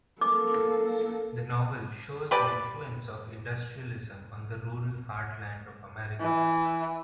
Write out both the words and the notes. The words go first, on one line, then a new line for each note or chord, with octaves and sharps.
The novel shows the influence of industrialism on the rural heartland of America.
A#3 A4 D6
G4 B4 D5 A5
E3